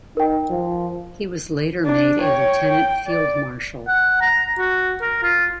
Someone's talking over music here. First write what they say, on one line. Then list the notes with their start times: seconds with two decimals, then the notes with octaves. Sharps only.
He was later made a Lieutenant Field-Marshal.
0.17 D#4 A#4 G5
0.50 F3
1.85 D4
2.21 C#5 G5
2.69 G5
3.07 D5
3.88 F#5
4.21 A#5
4.58 F#4
5.01 A#4
5.23 F4